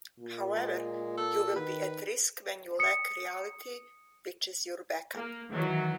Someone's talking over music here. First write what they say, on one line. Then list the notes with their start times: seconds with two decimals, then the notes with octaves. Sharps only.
However, you will be at risk when you lack reality which is your back-up.
0.19 A#2
0.56 G#3
1.17 A4
1.56 D#3 B4
2.79 D#6 C#7
5.14 A#3
5.50 D#3 E3 F#3